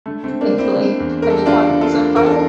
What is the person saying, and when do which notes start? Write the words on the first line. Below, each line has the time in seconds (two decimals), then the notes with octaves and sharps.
thankfully. Have you caught things on fire?
0.06 D3 A3
0.24 A3 C4
0.29 D3
0.41 A#3 D4
0.53 D3
0.58 C4 E4
0.75 D3
1.00 E2
1.22 E2 A#4
1.30 A4
1.38 G4
1.46 D3 D4 F4
1.69 D3
1.81 F4 A4
1.93 D3
2.16 E2 A#4
2.26 A4